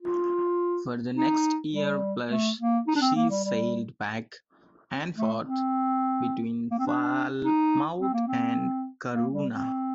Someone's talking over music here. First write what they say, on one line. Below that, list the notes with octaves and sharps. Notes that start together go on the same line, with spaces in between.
For the next year plus she sailed back and forth between Falmouth and Corunna.
F4
D#4
G3
A3
A#3
D#4
D4
C4
A#3
G3
G3
A3
C4
A#3
C4
D4
D#4
C4
A#3
C4
A#3
G3
C4